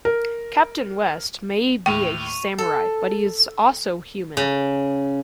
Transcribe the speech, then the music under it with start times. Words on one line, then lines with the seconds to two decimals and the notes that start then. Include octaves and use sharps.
Captain West may be a Samurai, but he is also human.
0.05 A#4
1.86 D#2 A2 G5 C#6 D#7 F7
2.58 A4
4.37 C#3